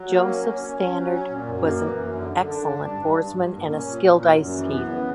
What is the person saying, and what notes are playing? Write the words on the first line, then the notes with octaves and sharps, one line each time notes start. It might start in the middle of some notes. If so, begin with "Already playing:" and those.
Joseph Stannard was an excellent oarsman and a skilled ice-skater.
Already playing: F#3
A#3
C#4
C#4
C#4
C#4
F#3
C#4
A#2
F#2
A#3
E3
F#2
D3
D3
D4
D4
G2
G2
G2
G2
A#2
C#4
A#2
A#2
F#2
F#2
E3
B3
C#3